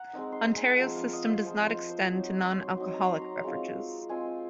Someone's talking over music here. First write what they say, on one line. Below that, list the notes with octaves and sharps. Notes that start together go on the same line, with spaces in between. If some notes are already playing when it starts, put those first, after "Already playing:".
Ontario's system does not extend to non-alcoholic beverages.
Already playing: F#5 A#5
G#3 C4 D#4
C6
A#5
G#5
F#5
F3 G#3 C4 F4 F5
F5
D#5
C5
F3 G#3 C4 F4 C5
C5
C5
F#3 C4 D#4
C6
F#3 C4 D#4 C6
A#5
C6
A#5
G#3 C4 F4
G#3 C4 F4 G#5